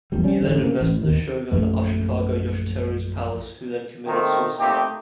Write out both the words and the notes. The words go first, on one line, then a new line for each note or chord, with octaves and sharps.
He then invested the shogun Ashikaga Yoshiteru's palace, who then committed suicide.
E1 A#1 G3
G3 C#4
A1 D3
C#3 A#3
A1
D#2 D#3
A#1 F#2 A3
D#3 A3 A#3 C4
A3 A#3 C4 D#4 G4